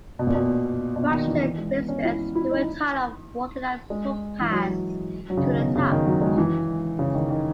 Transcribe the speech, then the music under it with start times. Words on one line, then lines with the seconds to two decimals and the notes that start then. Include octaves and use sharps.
Washington residents who were tired of walking up footpaths to the top.
0.19 B2
0.27 A#2
0.35 B2
0.96 B2
1.11 D#3
1.27 E3
1.43 E3
1.58 G#3
1.73 B3
1.89 C#4
2.05 E4
2.35 E4
2.51 D#4
3.90 G#3
4.41 E3
4.51 F#3
5.30 F#3
5.37 C#3
5.44 D#3
5.60 B2
5.76 C#3
5.92 D#3
6.06 F#3
6.21 G#3
6.38 E3
6.99 C#3
7.15 D#3
7.30 D#3